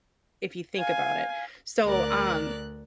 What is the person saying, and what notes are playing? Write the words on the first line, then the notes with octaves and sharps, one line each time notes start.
if you think about it. So, um,
F5 G#5
D2 A#4 D5 F#6